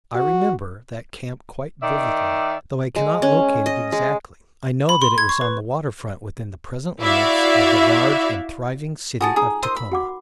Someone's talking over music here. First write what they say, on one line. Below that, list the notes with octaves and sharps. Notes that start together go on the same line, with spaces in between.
I remember that camp quite vividly; though I cannot locate it exactly, I know that it was on the water front within the present limits of the large and thriving city of Tacoma.
F#4
D#3 D5 E5
G#3
C#4
D#5
G#3
B5
C6
G#6
C#6
B4
E4 F#4 D5 E5 F5
F4 F#4 G#4 A4 G#5 A5
D#4 G#4 A#5 D#6
A#4 C5 D#5 C6
B5
F#4 F#5 D6